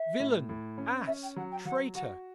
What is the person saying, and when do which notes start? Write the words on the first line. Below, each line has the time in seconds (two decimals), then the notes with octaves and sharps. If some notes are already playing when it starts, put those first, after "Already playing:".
'Villain, ass, traitor!'
Already playing: E5
0.20 A2
0.49 A2
0.78 C#4
1.07 C#4 E5
1.22 G5
1.36 F#3 F#5
1.51 G5
1.65 F#3 F#5
1.95 F#4 F#5